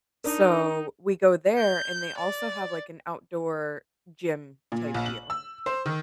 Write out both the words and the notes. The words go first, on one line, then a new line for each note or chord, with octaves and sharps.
So, we go there, and they also have, like, an outdoor gym-type deal.
D4 D#4 A#4
G6
D5
A#2
A#1
F#7
E6
C5
D#3